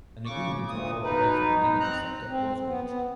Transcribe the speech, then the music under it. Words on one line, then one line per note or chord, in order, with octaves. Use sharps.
An agreement on cooperation in the energy sector was reached.
C#3 C#6 D6
D2 A#2 D#6
B2 D#4 B4
D#4
C4 A#5 F#6
C4
B3
B3